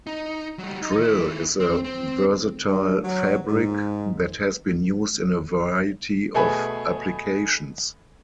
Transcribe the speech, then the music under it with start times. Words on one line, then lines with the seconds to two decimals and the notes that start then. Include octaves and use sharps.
Drill is a versatile fabric that has been used in a variety of applications.
0.07 D#4
0.59 F#3 G3
0.82 D#4
0.98 D#3 E4
1.60 C4
1.84 C4
2.66 G2
3.04 F#3
3.47 G#2
6.34 B2 A3 G#4 G#5 B5